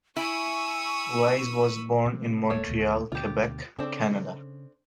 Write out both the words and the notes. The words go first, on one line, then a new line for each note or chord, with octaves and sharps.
Wise was born in Montreal, Quebec, Canada.
E4 G#5 B5 C#6 D#6 E6
C3
E1 A3 A#3 C#5 F5
D1 D2 B2
D2 B2 D3 F4 G4
C#3 C4 D4 A4